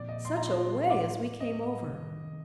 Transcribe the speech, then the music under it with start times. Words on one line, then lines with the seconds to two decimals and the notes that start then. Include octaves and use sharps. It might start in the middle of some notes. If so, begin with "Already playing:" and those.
Such a way as we came over!
Already playing: A#2 F3 C4 D5
0.09 D#5
0.25 C6
0.37 A#5
0.48 C6
0.90 A2 G3 A#3 D6
1.40 D#5
1.89 C3 D#3 G3